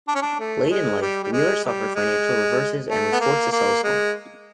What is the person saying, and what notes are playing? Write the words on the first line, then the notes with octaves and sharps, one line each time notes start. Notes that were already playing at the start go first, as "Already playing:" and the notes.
Late in life, Wheeler suffered financial reverses and was forced to sell his home.
D4
C#4
D4
A3
G#3
G3
G3
G#3
G3
G#3
A3
B3
A#3
A#3
G#3